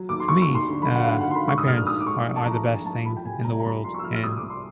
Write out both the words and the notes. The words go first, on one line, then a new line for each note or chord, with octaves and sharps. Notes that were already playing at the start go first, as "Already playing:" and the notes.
for me, uh, my parents are are the best thing in the world and
Already playing: F#3
D#2 D6
C6
F#3 C#6
C#6
D#2
C6
D3
B5
F#3
F#5
F5
D3 F#5
F#5
D#2 C6
B5
G#2 C#6
D#6
A#1 F6
F6
G#2 D#6
D6
G#2 C#6
E3
A5
E3 A#5
E3 G#5
E3 A5
F3 B5
G5
C3 G#5
C2 A#5
A#5
C2 B5
F3 C6
C#6
E6
F3 F6
F6
C2 D#6
D6
C2
C6